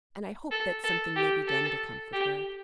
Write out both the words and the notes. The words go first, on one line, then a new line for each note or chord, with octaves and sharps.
And I hope that something may be done to comfort her.
A4
A4
G4
A4
G4